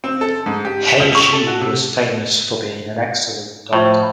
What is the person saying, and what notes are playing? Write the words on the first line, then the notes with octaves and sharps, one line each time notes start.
He Zhi was famous for being an excellent doctor.
C4
A4
G#2
G4
B6
C#2
C#6
A4
F#4
C3
A2 F3